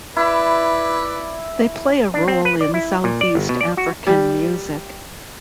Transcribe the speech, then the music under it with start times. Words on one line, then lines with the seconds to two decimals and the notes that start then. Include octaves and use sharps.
They play a role in southeast African Music.
0.16 E4 B4 D5
2.14 D4
2.28 C4
2.45 B4
2.61 D5
2.74 E4
3.04 A#2
3.21 D5
3.35 G1
3.49 B2
3.61 D5
3.77 F#4
4.07 G3